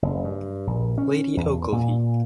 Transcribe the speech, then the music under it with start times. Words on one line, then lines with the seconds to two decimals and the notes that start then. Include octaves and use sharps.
Lady Ogilvy.
0.02 F#1
0.24 G2
0.67 A#1
0.98 C#4
1.37 E2
1.72 A#2